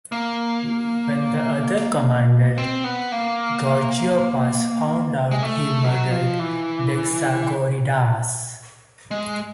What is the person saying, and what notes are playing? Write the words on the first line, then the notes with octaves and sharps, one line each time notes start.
When the other commander Gorgopas found out he murdered Dexagoridas.
A#3
C4
B3
A#3
G#3
A3
F#3
F3
E3
G#3